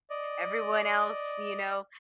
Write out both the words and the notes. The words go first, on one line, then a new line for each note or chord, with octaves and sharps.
everyone else, you know,
D5 D#5